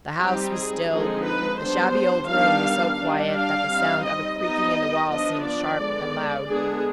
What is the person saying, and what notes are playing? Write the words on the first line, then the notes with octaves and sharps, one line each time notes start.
The house was still; the shabby old room was so quiet that the sound of a creaking in the wall seemed sharp and loud.
G3 C4 D#4 G4
G#4
D3 F3 G#3 C4 D#4 G#4
B4
G3 B3 D4 C5
D#3 G3 B3 D4 F5
G3 D4
F5
G3 C4 D#4
D#5
G3 B3 D#4 D#5
F3 B3 D4 D#5
D5
D3 G#3 B3
D3 G#3 B3 D4 G#4